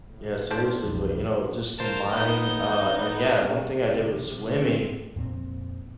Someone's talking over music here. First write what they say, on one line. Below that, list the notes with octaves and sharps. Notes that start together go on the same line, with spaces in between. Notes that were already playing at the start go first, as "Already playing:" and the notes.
Yeah, seriously, but, you know, just combining, uh And yeah, one thing I did with swimming
A2
F3 C4 D4
B1 F2
F4 A#4 C5 A5
B3 D#4 G6
D5
C3
C3
C3
A3
C4
F2 A#2 B3 C4